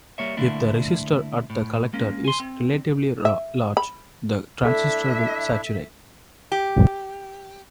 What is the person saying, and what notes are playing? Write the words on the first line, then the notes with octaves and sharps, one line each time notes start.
If the resistor at the collector is relatively large, the transistor will saturate.
G3 A#3 C#5 E5
D3 A3 A#3 D4 E4
A2
G#3 A#3 C#4
G#5 C6
C4
E5
B5
D4 E4 A4 E5
G4